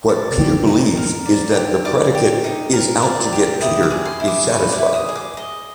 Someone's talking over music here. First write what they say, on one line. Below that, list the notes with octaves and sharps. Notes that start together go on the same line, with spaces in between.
What Peter believes is that the predicate 'is out to get Peter' is satisfied.
D5
G4
D#4
A#4
D5
G4
D5 D6
G4
D#4
A#4
D5
G4
E4 D#6
D6
G#4
C6
E4
D6
B4 C#6
D6
E4
D#6
G#4
D6
D#5